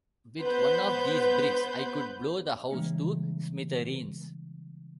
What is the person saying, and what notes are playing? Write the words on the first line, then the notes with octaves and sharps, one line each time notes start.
With one of these bricks I could blow the house to smithereens.
B3 B4 C5 G6
C#3 E3 G3 G#3 A#3 D4